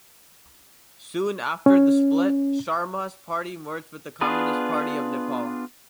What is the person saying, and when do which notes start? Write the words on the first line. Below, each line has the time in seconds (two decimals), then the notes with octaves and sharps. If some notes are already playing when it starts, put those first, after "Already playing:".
Soon after the split Sharma's party merged with the Communist Party of Nepal.
1.66 C#4
4.21 B3 D4 F4 G#4 B4